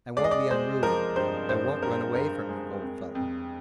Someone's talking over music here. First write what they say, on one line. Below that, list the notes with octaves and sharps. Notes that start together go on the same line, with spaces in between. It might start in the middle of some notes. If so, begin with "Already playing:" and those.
I won't be unruly, I won't run away from you, old fellow.
G#3 D5
D#5
D5
G#3 C5
F3 A#4
G2 C5
G2 C5
G2 A#4
G2 A#4
G#3
F2
F2